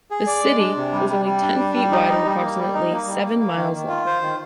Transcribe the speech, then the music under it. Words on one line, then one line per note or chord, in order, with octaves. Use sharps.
The "city" was only ten feet wide and approximately seven miles long.
G#4
D5
G#3
D4
C3
G3
G3
G3
D4
G3
G3
D#4
D#4
G3
A#3
G3
D#4
A#3
G3
A#3
A#3
D#3
D#3
F4
C5
D#3